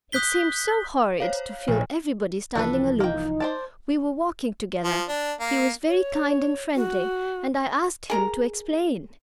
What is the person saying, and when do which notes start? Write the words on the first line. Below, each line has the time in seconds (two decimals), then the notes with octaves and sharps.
"It seemed so horrid to feel everybody standing aloof--we were walking together--he was very kind and friendly--and I asked him to explain."
0.12 D#6 F#6 G6 B6 G7
1.20 C5 C#5 F5
1.68 A#1
2.55 C2 E3 F3 D4 A4 B4
3.00 A#3 D#4 G5
3.40 C5 D5 A5
4.84 F3
5.09 D4
5.40 A#3
5.87 C#5
6.76 F#4
8.10 G#4 A#4 A#5